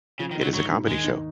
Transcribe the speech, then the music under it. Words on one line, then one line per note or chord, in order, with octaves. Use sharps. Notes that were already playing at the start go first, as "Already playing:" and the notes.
It is a comedy show.
C#3 F3
D#3
D#4
F#3
G#2 F#3
G#2
D#2 G#3
D#4